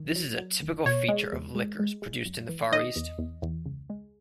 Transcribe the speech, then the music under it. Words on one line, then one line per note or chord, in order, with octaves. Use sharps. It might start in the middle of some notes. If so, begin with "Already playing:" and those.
This is a typical feature of liquors produced in the Far East.
Already playing: D#3
F#3
F#3
D#2
B2 C#5
G#3
E2
G#3
G#3
G#3
F#2
E3
D#3 D#5
E2
E2
E2
C#2
G#3